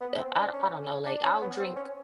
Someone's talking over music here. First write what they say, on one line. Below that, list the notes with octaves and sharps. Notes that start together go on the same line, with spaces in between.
uh, I I don't know, like, I'll drink
B3
C4
D4
C#4
D4
C#4
B3
C4
C#4